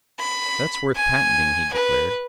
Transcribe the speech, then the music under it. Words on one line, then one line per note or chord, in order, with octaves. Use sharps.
"That's worth patenting," he declared.
B5
G#5
B4